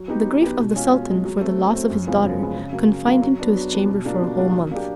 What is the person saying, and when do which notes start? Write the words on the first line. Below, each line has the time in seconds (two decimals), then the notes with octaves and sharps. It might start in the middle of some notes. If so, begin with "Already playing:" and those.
The grief of the sultan for the loss of his daughter confined him to his chamber for a whole month.
Already playing: F#3
0.08 B3 D#4 G4
0.25 F#3
0.42 B3 D#4 G4
0.58 B2
0.75 G#3 C#4 F4
0.91 B2
1.08 G#3 C#4 F4
1.25 F#3
1.41 A3 C4
1.58 F#3
1.74 A3 C4
1.90 F#2
2.07 C#3 F3 G#3 B3
2.23 F#2
2.40 C#3 F3 G#3 B3
2.56 C#3
2.73 F#3 A#3
2.89 C#3
3.06 F#3 A#3
3.22 F#3
3.39 B3 D4
3.55 F#3
3.72 B3 D4
3.89 B2
4.05 G3 A#3 D4 F4
4.22 B2
4.38 G3 A#3 D4 F4
4.55 F#3
4.71 A#3 D4 G4